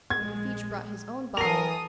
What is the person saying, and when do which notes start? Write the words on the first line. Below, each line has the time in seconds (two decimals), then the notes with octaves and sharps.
But if each brought his own bottle . . .
0.10 A#1 G#3 G#6
1.37 E3 A4 A#4 D#6 C7 F7